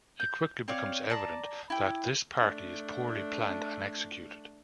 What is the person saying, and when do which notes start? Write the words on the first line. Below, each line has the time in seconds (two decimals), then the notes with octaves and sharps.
It quickly becomes evident that this party is poorly planned and executed.
0.20 G6
0.68 C4 C#5 D5 F5
1.10 D5 A5 A#5
1.70 E4 G4
2.39 A3 D4